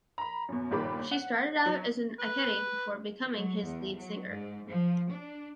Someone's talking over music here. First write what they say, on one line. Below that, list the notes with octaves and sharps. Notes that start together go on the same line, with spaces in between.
She started out as an Ikette before becoming his lead singer.
A#5 B5
F#2 B2
G1 A#2 D#3 G3 B5 D6
F#5
F#3
B4
F#3
E2
F#3
G#2
F3
D4